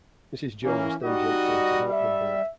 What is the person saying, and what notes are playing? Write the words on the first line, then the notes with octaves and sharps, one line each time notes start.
Mrs. Jones then jumped in to help them both.
E3 A#3 C#4
G3 D#4 F#4 D#5
E5